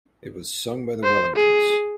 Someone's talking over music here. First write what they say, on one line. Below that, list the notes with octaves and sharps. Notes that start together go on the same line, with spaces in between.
It was sung by The Wellingtons.
C5
G#4